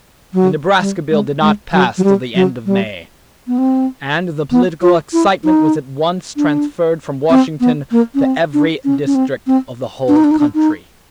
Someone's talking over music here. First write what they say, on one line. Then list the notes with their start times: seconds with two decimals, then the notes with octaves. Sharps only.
The Nebraska bill did not pass till the end of May, and the political excitement was at once transferred from Washington to every district of the whole country.
0.34 F#3
0.80 G3
1.11 G#3
1.41 G#3
1.72 F#3
1.98 F#3
2.04 G3
2.35 F#3
2.66 G3
3.47 B3
3.58 C4
4.51 B3
4.82 F4
5.13 E4
5.44 D#4
6.37 D4
7.30 C4
7.60 B3
7.92 A#3
8.15 C#4
8.23 C4
8.53 D4
8.85 C#4
9.06 C#4
9.15 C4
9.47 C4
10.08 D4
10.16 D#4
10.24 D4
10.31 D#4
10.39 D4
10.55 D#4